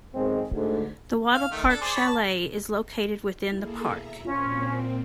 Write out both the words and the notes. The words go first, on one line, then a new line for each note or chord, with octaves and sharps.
The Wattle Park Chalet is located within the park.
B1 G#2 D#3 G#3 C4
D2 G#2 D3
F5
D#3 A3
D4 A4
G#4 C5 D5
C#5 D5 B5
A5
A#3 E4 G#4 A4
B2 E5 A#5
A#2 C4 C#4 F4 C#5